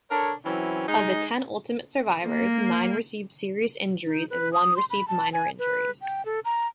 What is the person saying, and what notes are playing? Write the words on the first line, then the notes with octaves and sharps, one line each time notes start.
Of the ten ultimate survivors, nine received serious injuries and one received minor injuries.
D4 A4 A#4 C#5
E3 F#3 C4 C#4 E4
G#3 D#4
A#3
D#4
B4
D#6
C6
B5
A5
G#5
B4
G5
A4
A#5